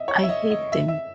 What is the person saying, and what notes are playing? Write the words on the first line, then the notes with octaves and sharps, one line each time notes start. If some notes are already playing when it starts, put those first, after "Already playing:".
I hate them.
Already playing: D#5 E5
C#5
E5
D#5
D#5
E5
E5